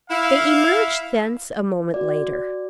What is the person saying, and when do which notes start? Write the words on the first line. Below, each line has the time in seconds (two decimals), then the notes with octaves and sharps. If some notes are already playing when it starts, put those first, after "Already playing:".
They emerged thence a moment later.
0.11 E4 F5
1.94 F#4 D5